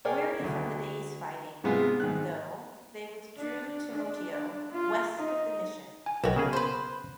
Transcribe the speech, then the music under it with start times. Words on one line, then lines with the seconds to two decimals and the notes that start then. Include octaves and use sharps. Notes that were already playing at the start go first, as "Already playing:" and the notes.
Weary from the day's fighting, though, they withdrew to Motieau, west of the mission.
0.05 G#4 A#4 C#5 D5 G5 G#5
0.40 D2 D3
1.64 G#2 C3 G#3 B3 F4 G#4
2.00 G#2 D#3 F#6
3.37 D4
3.90 D4
4.71 F4
5.17 D#4
6.06 G#5
6.24 B1 F#4 G4 A#4
6.36 C#3 B3 C#4 G#4 A#4
6.53 B4 C5